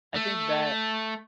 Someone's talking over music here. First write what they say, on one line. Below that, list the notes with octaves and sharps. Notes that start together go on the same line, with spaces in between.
I think that,
A3